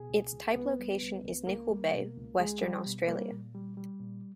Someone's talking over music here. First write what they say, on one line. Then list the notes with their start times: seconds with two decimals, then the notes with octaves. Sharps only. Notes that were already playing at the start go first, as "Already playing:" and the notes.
Its type location is Nicol Bay, Western Australia.
Already playing: B2 G#4 G#5
0.09 C#2
0.33 C#2
0.56 C#2 B3 B4
0.79 G3
1.01 C#2
1.24 C#2
1.47 C#2 A#3 A#4
1.70 G3
1.93 B2
2.17 C#2
2.39 C#2 G#3 G#4
2.62 G3 G4
2.86 B2
3.08 G3 A#3 A#4
3.31 A#2
3.54 G3
3.77 G3
4.00 A#2